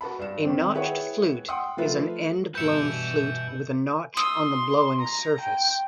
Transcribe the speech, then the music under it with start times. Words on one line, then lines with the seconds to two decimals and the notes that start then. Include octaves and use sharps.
A notched flute is an end-blown flute with a notch on the blowing surface.
0.01 F#4 B4 A5 B5
0.19 G2 E7
0.44 D#3 C4
0.75 E4 G#4 B4 C#5 F#5 G5
1.49 F#5 G5 C6 D#6
1.77 F3 A3 F4 B4 E5
2.55 G2 B2 B4 E5 G6 C#7
4.17 C6 D#6 E6
5.01 A#5
5.41 G5